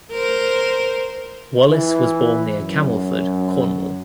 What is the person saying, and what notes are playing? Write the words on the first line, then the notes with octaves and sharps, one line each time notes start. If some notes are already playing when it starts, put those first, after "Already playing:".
Wallis was born near Camelford, Cornwall.
A#4 C5
E3
F#2